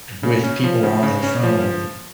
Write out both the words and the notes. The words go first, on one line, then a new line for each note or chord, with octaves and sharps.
with people on their phone,
C#3
C#4
F3
C#3
C#3
C#4
F3